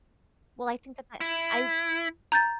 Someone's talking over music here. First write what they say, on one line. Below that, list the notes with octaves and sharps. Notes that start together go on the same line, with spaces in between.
Well, I think that that I
E4
A#5 G6 A6